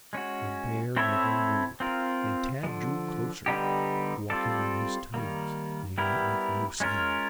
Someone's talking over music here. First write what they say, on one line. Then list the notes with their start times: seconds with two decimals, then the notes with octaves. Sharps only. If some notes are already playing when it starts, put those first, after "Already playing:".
The bear never moved and Tad drew closer, walking on his toes that he might make no sound.
0.13 G#3 C#4 F#4
0.97 C4 E4 A4 C#5 E5
1.80 C4 F4 A#4
2.63 G#3
2.66 D3 F3
3.46 D3 G3 B3 D#4 G4
4.30 G3 C4 F4 A4 D5
5.14 D#3 G3 A#3
5.98 G3 B3 E4 G4 A#4
6.80 G#3 C#4 F4 A#4